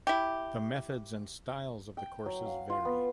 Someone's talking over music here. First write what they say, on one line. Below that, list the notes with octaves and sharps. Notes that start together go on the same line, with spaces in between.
The methods and styles of the courses vary.
E4 G4
G5
F#3
F5
F4
B3